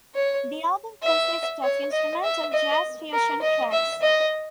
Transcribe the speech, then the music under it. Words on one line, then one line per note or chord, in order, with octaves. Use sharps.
The album consists of instrumental jazz-fusion tracks.
C#5
E5
C#5
D#5
E5
D#5
A#4
D#5
E5
D#5